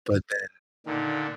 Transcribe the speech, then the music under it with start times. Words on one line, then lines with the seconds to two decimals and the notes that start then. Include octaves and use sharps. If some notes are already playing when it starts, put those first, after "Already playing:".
But then,
0.86 A#2 D3 D#3